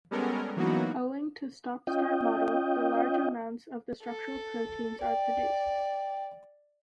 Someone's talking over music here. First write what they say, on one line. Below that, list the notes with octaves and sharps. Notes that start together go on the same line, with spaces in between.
Owing to stop-start model, the large amounts of the structural proteins are produced.
G3 G#3 B3 C#4 A4 A#4
E3 F#3 A#3 B3 D#4 F#4
C#4 F4 D#5 G5
A4
D5 G5